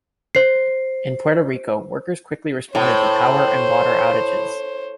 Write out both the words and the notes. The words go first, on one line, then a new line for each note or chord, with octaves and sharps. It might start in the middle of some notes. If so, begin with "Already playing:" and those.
In Puerto Rico, workers quickly responded to power and water outages.
C5 C7
A2 C5 C#5